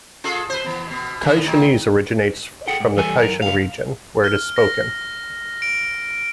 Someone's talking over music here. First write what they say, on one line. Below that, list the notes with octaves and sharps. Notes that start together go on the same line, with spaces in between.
Taishanese originates from the Taishan region, where it is spoken.
F4 G#4 A4
B4 C5
E3 B3
B2 B3
D3 E3 G#3
A2 D#3
G#4 A4 F#5 G5
G#2
E3 G3 A4 G#5
F#2 A#4
C#2 F5
F6
A#6
D7